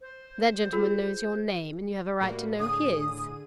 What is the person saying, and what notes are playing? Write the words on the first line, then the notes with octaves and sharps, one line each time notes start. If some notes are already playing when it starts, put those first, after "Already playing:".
That gentleman knows your name, and you have a right to know his.
C5
F4 G#4
A2 G3 A#3 F#4
D3 G#4 D#6 D#7